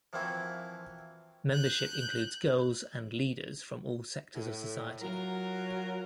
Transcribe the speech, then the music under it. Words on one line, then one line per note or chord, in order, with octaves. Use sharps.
Membership includes girls and leaders from all sectors of society.
E3 F3 A#3 C4 E4 F#4
F#6 G6
A2
F#3 F4 A#4